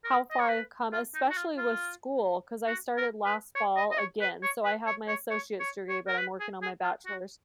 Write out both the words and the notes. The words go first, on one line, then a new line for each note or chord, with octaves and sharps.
how far I've come, especially with school, 'cause I started last fall, again. So, I have my associate's degree, but I'm working on my bachelor's.
A#4
D#5
C#5
B4
F4
D#4
F#4
F4
F4
F#4
A#4
B4
C#5
D#5
D#5
C#5
B4
C#5
B4
C#5
C#5
C#5
C#5
C#5
A#4
B4
G#4
G#4
F4
F#4